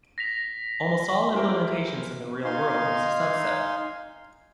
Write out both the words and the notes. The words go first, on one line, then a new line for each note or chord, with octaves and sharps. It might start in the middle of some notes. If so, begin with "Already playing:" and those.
Almost all implementations in the real world use a subset.
A#6 B6 F7
E4 G4 G#4 A#4 C5 E5
D#4 F5 G#5 C6